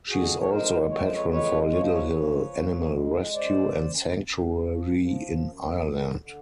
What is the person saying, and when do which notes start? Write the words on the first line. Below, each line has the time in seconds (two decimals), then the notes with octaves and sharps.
She is also a patron for Littlehill Animal Rescue and Sanctuary in Ireland.
0.08 F2 F#4 G#4
0.39 C#5
0.49 G#3 A#4 C5
0.90 F2 C#5
1.02 C5
1.13 B4 C#5
1.30 G#3 B4 C#5
1.72 F3 C#5
1.83 C5
1.92 B4 C#5
2.13 F3
2.53 F2
2.94 G#3
3.34 F#2 C5 D5
3.75 F#2
4.17 F#2
4.57 F3
4.98 F3
5.38 F#2
5.78 D3
6.19 D3